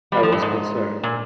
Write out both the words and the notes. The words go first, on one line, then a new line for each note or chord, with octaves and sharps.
I was concerned.
G3
F3
G2
G#2
A#2